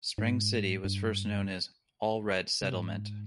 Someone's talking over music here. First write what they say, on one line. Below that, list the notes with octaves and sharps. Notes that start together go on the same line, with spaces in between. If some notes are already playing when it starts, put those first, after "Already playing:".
Spring City was first known as "Allred Settlement".
G#2
G2
C3
G#2